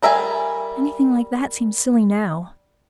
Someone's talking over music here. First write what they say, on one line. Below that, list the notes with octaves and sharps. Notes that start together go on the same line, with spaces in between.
Anything like that seems silly NOW.
G3 A#4 E5 F5 G#5